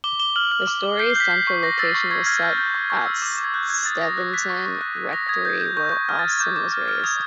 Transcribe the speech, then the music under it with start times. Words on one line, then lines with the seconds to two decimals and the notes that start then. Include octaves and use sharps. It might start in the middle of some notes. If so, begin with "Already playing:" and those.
The story's central location was set at Steventon rectory where Austen was raised.
0.04 D6 G7
0.20 D6 G7
0.36 F6 F#7
0.52 F6
0.67 D6
0.83 D6
0.99 G6 C7
1.10 C7
1.16 G6 B6
1.31 G6 C7
1.47 C#6
1.63 C#6 A#6
1.79 E6 A6
1.95 C#6
2.11 C#6 G#6
2.26 F6 G#6
2.42 F6 G6
2.58 G6
2.75 C#6
2.90 C#6 G#6
3.06 E6
3.22 D6
3.38 D6
3.44 G#6
3.54 F#6 G6
3.70 F#6 G#6
3.86 D#6 A6
4.02 D#6 A#6
4.17 F#6
4.34 F#6 B6
4.50 C#6
4.66 C#6
4.81 F#6
4.97 F#6
5.13 D#6 A#6
5.29 D#6 G#6
5.45 G6 G#6
5.61 G6
5.77 C#6 G6
5.92 C#6
6.09 F6 G#6
6.19 A6
6.24 F6
6.30 G#6
6.40 D6 G6
6.56 D6
6.72 F6
6.88 F6
7.04 D#6 G#6